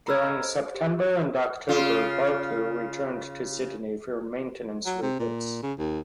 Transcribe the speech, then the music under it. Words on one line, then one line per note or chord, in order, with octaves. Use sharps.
During September and October, "Barcoo" returned to Sydney for maintenance refits.
A#5 B5 E6 F6 G#6
A4 D#5
C5
G4
C#3 F4
F#3
C3
A#2
C#3
D#2